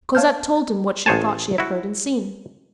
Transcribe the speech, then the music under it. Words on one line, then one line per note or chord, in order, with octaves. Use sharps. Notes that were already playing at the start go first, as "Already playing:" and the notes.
Cosette told him what she thought she had heard and seen.
C#5 F5 A5 F6 G6
A1 G#4 C5 C#5 G#5 A5
E4 F#4